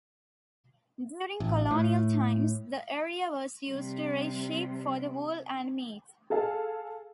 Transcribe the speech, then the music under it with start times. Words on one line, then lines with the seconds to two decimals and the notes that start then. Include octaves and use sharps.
During colonial times the area was used to raise sheep for wool and meat.
1.40 A1
1.71 A2
3.67 C3 G3
6.30 G#4 A4 F5 G#5